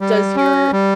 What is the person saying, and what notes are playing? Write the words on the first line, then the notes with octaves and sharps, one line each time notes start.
does your
G3
C#4
G3